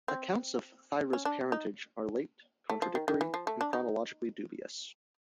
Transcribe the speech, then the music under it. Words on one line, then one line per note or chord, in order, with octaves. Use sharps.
Accounts of Thyra's parentage are late, contradictory and chronologically dubious.
C4
C#4
D4
D#4
A3
F3
D#3
D#3
E3
F3
A3
D4
D#4